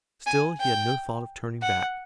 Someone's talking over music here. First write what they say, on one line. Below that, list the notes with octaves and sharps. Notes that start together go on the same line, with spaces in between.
Still he had no thought of turning back.
G#5
G5
F#5